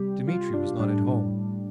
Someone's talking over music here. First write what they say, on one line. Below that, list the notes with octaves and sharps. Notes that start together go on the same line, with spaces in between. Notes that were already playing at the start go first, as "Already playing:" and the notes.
Dmitri was not at home.
Already playing: C3 G3 G4
F4
D4
A2 G3 D4